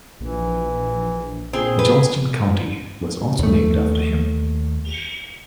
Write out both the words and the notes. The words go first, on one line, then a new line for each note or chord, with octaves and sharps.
Johnston County was also named after him.
A#1 E3
A#2 C4 G#4
B4
D#2 A3